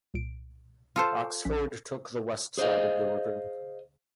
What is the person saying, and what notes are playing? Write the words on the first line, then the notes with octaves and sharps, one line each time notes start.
Oxford took the west side of the river.
C2 A#2 D7
F4 A4 C5
A#1 C#4 B6
G#4 C5 D5 D#5 F5